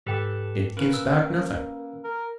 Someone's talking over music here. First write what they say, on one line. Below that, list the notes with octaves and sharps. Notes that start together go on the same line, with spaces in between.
It gives back nothing.
G#2 G4 A4 B4 G5 D6
A#3 C#4 A#4 B4
E6
A#4